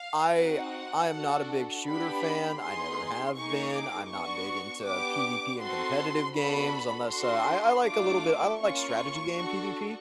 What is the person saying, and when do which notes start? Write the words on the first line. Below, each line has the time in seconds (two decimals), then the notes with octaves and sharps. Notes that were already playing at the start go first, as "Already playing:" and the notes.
I I am not a big shooter fan, I never have been, I'm not big into PvP and competitive games unless a I I like a little bit I don't like strategy game PvP.
Already playing: F5
0.38 C4 D#4 F#4 F#5
1.13 D4 F#4 A4
1.88 B3 D4 G4 B5
2.62 B3 D#4 G#4 C6
3.37 A#3 D#4 G#4 C#6
3.74 D6
4.11 B3 D4 F#4 C#6
4.86 B3 D4 G4 D6
5.61 C4 D#4 F#4 A4 C6
6.36 B3 D4 F#4 A4 B5
7.10 D4 F#4 A4 C6
7.85 A3 D4 F4 D6
8.59 A#3 C#4 F4 C#6
9.34 D4 F#4 A4